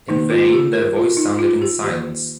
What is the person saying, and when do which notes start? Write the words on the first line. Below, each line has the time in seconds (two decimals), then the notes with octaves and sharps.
In vain their voice sounded in silence.
0.09 D#3 A#3 D#4
0.30 F4
0.44 F4
0.52 G4
0.73 A#4
0.96 F4
1.17 D#4
1.39 F4
1.62 G4
1.83 D#3 A#3 G4